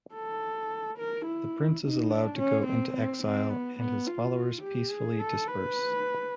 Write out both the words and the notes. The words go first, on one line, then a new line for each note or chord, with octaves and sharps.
The Prince is allowed to go into exile, and his followers peacefully disperse.
A4
A#4
E4
D#4
D4
C#4
C4
C4
C4
B3
B3
F4
G4
G#4
A4
B4